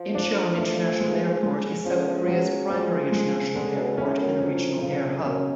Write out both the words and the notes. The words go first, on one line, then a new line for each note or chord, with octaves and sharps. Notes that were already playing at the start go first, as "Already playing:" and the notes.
Incheon International Airport is South Korea's primary international airport and a regional air hub.
Already playing: F3
D4
A3
G#3
G#3
F3 C#4
D3
F3
F#3 G#3
F3 G#3
G#3
D3 G#3
B2
A2 C#4
F#2
F2 F#3
C#3
F#2 C#4